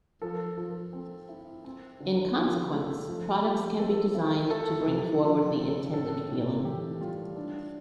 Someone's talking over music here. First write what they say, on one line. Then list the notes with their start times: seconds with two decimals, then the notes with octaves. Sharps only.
In consequence, products can be designed to bring forward the intended feeling.
0.22 F3 A4
0.57 F3 A4
0.93 C4
1.29 E4
1.65 C4
2.00 D3
2.36 F3 G4
2.72 A3
3.08 F3
3.43 F3 G4
3.79 C4 A4
4.15 E4
4.50 E4 A4
4.86 C3
5.22 F3
5.58 C4
5.93 A2 A4
6.28 A2
6.64 E3 G4
7.00 G3 F4
7.36 D4